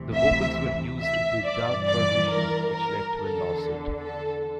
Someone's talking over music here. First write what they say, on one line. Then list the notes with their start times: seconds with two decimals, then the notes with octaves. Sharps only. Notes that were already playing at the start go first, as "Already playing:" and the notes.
The vocals were used without permission which led to a lawsuit.
Already playing: D2 C3 E3
0.14 E5
1.00 E5
1.42 G2 E3 D5
1.86 D5
2.29 A#4
2.70 A#4
3.13 E2 D3 A4
4.00 A4